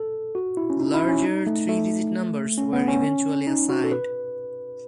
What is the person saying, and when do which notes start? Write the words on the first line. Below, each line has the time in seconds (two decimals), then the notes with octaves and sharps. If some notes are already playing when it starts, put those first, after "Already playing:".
Larger three-digit numbers were eventually assigned.
Already playing: A4
0.35 F#4
0.57 E4
0.70 C#4
0.80 D#4
0.94 E4
1.09 C#4
1.24 D#4
1.47 A3
1.69 A3
2.58 C#4
2.73 B3
2.88 C#4
3.47 D#4
3.69 F#4
3.84 A4
3.92 B4